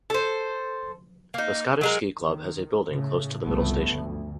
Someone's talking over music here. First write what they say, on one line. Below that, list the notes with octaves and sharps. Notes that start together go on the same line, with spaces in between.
The Scottish Ski Club has a building close to the middle station.
A4 C5
A#3 D#4
F#3 G#3 A#4
D#3
A2 C#3
F#1 C2 G2 F3 A3 B3
D2